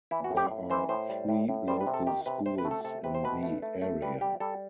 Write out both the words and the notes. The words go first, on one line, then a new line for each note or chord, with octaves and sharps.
There are three local schools in the area.
E3 E4
F#4
A2
G4
A2
E3 C5
A2 C5
G3
A2
A2
G3 C5
B4
C3
A4
D#3 G4
C3 B4
C3 C5
B4
A3
A4
C3 A4
C3 B4
C5
B2 B4
A3
A3
A3
G3 B4
G3 G4
G3 A4